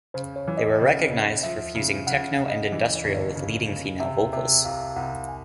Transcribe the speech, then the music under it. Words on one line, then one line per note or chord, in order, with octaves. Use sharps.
They were recognized for fusing techno and industrial with leading female vocals.
C#3 C5
C#5
E3
D#5
C#3
C#3
F3 E5
C#3
C#3 F#5
C#3
D#5
E3
G1
C#3
C#3
C3 E5
C3 E5
C2 F5
C2 F#5
G#5